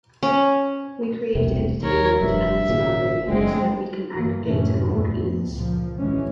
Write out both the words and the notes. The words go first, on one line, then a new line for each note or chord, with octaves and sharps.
We create entertainment, and it's not really just that we can aggregate an audience.
C#4
E1 C2 C3
D#2 A#4 C#5
F1 G2 E5
G#1 A#2 C#3
F#1 D3 G#3 C4
G1 E3 A#3
F#1 A2 C3 E3 A3 C#4
E2 G2 D3 A3 B3
F2
C#2 A#2 F3
A1 D2 D3 E3 G#3 C#4